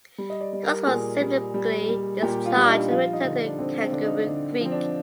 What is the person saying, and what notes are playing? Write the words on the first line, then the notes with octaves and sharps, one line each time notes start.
Coutts was subsequently discharged and returned to Kangaroo Creek.
G3
D#5
D5
G3
A#4
A#2 G#4
G3
G3
G3
A#2 G4
F4
G3
D4
D#4
F3 F4
D#4
D3
D4
D4
D3 C4
C4
D3 D4
D#4
D3 D4
F3 C4
D4